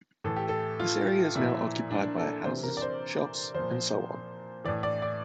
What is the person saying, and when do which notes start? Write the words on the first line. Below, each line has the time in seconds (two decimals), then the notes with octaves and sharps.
This area is now occupied by houses, shops and so on.
0.24 A2 E3 A4
0.36 G4
0.49 A4
0.80 F4
1.35 A#2 F3 E4
1.91 D4
2.18 A4
2.45 C3 E3 C5
2.63 A#4
2.77 D5
2.82 C5
3.54 A#2 F3 C5
4.65 A2 E3 D5
4.83 D5
5.02 D5